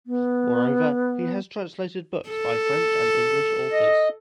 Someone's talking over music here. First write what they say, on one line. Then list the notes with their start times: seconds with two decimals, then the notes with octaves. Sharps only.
Moreover, he has translated books by French and English authors.
0.06 B3
2.29 A4
3.72 D#5